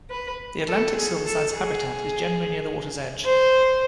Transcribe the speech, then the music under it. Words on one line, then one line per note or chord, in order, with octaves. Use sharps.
The Atlantic silverside's habitat is generally near the water's edge.
B4
A4
G#4
A4
G#4
C5